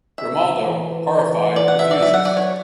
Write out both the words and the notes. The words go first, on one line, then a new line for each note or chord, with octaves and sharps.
Grimoaldo, horrified, refuses.
E5
E3
D5
F#5
E5
D5
F#3 E5
F#5
D5
C#5